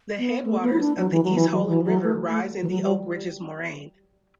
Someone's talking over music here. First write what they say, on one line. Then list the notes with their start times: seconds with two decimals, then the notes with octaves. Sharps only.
The headwaters of the East Holland River rise in the Oak Ridges Moraine.
0.19 B3
0.45 A3
0.62 B3
0.73 E4
0.80 D4
0.98 F#3
1.11 E3
1.24 F#3
1.37 E3
1.51 F#3
1.68 E3
1.85 F#3
2.04 A3
2.30 A3
2.62 E3
2.70 F#3
2.83 G3